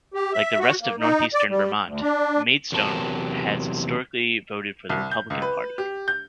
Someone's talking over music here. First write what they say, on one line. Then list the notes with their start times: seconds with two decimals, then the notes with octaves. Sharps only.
Like the rest of northeastern Vermont, Maidstone has historically voted for the Republican Party.
0.14 G4
0.33 E5
0.59 F#4
0.81 A#3
1.00 D#4
1.34 D5
1.50 G3
1.85 D2
2.01 D4
2.72 E2 C3 F#3 A#4 A5
4.90 C2
5.11 G6
5.30 C#2
5.42 B4
5.78 G4
6.08 G6